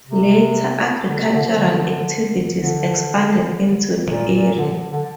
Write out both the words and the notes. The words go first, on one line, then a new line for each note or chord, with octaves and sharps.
Later, agricultural activities expanded into the area.
C3
D3
C3
D3
F3
D3
D3
A#2
A#2
D3
D3